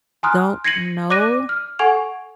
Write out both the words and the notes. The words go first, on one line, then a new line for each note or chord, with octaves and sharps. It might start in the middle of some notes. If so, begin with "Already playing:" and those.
don't know?
G#5 A#5 C6 D#6 F6 F#6
G#6 A#6 C7 C#7 D#7 F#7
D5 D6 F#6 A#6 D#7
F6
A4 F#5 G#5 C#6 G#6 F7